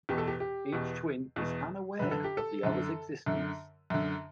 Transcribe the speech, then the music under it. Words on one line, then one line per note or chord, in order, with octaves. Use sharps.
Each twin is unaware of the other's existence.
E2 B2 G4
A4
G4
G4
E2 B2
E2 B2
F#2 D3 B4
A4
G4
A4
F#2 D3
F#2 D3
F#2 D3